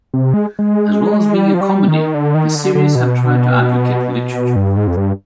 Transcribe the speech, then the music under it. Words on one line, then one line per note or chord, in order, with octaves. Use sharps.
As well as being a comedy, the series had tried to advocate literature.
C3
G#3
G#3
G3
F3
G3
D#3
D3
D#3
D3
D3
B2
G2
G#2
F2
G2